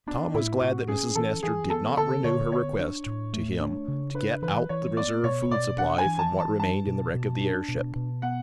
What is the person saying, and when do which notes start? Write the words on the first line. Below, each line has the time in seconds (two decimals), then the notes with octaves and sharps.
Tom was glad that Mrs. Nestor did not renew her request to him to get out the reserve food supply from what remained in the wreck of the airship.
0.07 B3 D4
0.34 A2 E4
0.61 A2 F#4
0.88 C#4 G#4
1.15 E3 A4
1.43 E3 G#4
1.70 B3 A4
1.97 D3 A4
2.24 D3 C#5
2.52 B3 C#5
2.79 D4
3.06 A2
3.33 A3
3.60 D4
3.88 C#3
4.14 D4 B4
4.42 E3 B4
4.69 E3 C#5
4.97 B3 D5
5.24 B2 C#5
5.51 B2 D5
5.78 D4 F#5
5.98 G#5
6.05 E3
6.19 A5
6.32 E3
6.40 A5
6.60 D4 A5
6.87 B2
7.14 B2
7.41 D4
7.68 B2
7.96 B2
8.22 B3 F#5